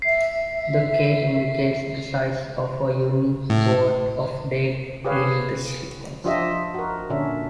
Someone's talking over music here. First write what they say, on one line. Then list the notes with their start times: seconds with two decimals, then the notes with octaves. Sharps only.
The "k" indicates the size of a unique word of data in the sequence.
0.02 E5 C7
3.50 A2
5.05 G4 G#4 B4 C#5 F5
6.24 F3 D4 F4 G4 D#5 E5
6.74 F#4 A#4
7.10 A#2 D3 C#4 D4 E5